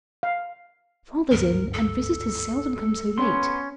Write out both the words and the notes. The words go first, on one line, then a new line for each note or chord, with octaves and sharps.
"Father's in and visitors seldom come so late."
F5
G#1 D2 G2 A#4
A4
B3 C#4 C6